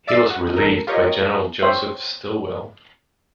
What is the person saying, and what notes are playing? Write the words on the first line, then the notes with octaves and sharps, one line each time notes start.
He was relieved by General Joseph Stilwell.
D5 E5 D6 E6 A6 C7
F#4
A1 A4 A#4
F4 G4 A#4 C#5 D#5
C5 C#5 E5 G5 C6